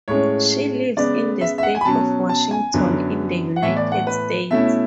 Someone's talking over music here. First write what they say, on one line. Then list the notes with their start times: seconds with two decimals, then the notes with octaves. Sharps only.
She lives in the state of Washington in the United States.
0.08 A2 G#3 C#4 C#5
0.97 C#3 G#3 B3 D5
1.41 E5
1.58 E5
1.63 F#5
1.75 G#5
1.81 B5
1.85 B2 F#3 C#4 A5
2.29 A5
2.51 G#5
2.74 F#2 D3 F#3 B3
3.56 F#5
3.62 A2 E3 B3 E5
3.76 D5
3.92 F#5
4.07 B4
4.51 B2 A3 C#4 E4 E5